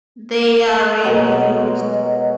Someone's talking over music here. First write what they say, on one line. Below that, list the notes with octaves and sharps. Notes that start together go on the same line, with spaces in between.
They are rarely used.
B2 F#3 G#3 A#4